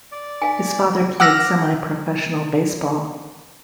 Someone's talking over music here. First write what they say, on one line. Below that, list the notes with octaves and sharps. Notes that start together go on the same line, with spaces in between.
His father played semi-professional baseball.
D5
F5 G#5
F#5 D6 E6 F6 A#6